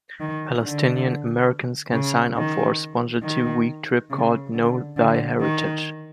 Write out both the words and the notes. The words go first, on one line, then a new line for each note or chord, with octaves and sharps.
Palestinian-Americans can sign up for a sponsored two-week trip called Know Thy Heritage.
D#3
D3
C#3
D#3
D#3
C#3
D3
D3
D#3